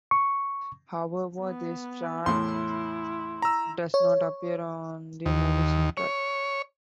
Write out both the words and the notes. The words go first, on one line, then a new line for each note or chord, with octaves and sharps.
However, this track does not appear on the movie's soundtrack.
C#6
B3
E2 A2 E4 C6
A#5 E6
C#5
D#2
C#5